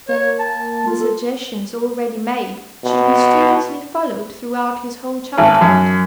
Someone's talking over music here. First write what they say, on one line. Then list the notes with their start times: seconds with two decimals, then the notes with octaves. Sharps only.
The suggestions already made should be studiously followed throughout his whole childhood.
0.09 A#3 C#5
0.40 A5
0.86 F4
1.00 A4
2.84 B2
5.38 G#1
5.61 F#2